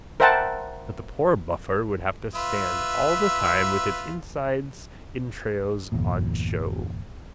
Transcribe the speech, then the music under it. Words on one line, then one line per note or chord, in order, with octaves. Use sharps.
But the poor buffer would have to stand all the time with his insides entrails on show.
A#4 C5 E5 F#5 G5 A5
F4 B4 E5
G1 E2 A#2